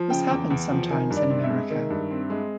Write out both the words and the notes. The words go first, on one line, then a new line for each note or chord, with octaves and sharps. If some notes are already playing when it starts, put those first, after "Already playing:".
This happens sometimes in America.
Already playing: F3
C#3 G5
E2
E2
F3
D#3 G#5
G2
D5
C4
E5
G#3
D#3
G2
C4
G#3